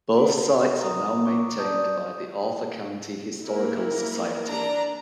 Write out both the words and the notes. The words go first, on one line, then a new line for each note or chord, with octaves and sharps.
Both sites are now maintained by the Arthur County Historical Society.
A4
A#5 D#6
C#6 D6
D5 A5 D#6 G6
A#3 E4 A#4
D4 D5 A#5